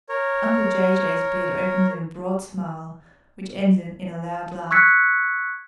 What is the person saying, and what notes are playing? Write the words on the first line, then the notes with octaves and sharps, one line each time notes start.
Uncle Jay-Jay's beard opened in a broad smile, which ended in a loud laugh.
A#4 C#5
C#6 E6 F#6 G#6 B6 C#7